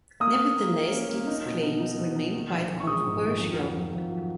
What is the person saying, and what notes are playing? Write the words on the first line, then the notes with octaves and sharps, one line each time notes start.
Nevertheless, these claims remain quite controversial.
A#3 D#6
A#3
A#3
A#3
C#4
A#3
D#4
B2
D#4
D#4
B2
D#4
D#3
A#1
A#1
C#6
G#3 D#6
G#2
D#3
F2
F#3
F2
F2
F#3